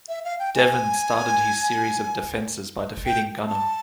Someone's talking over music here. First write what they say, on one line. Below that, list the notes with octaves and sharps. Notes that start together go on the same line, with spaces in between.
Devon started his series of defenses by defeating Gunner.
E5
F5
G5
G#5
G5
A5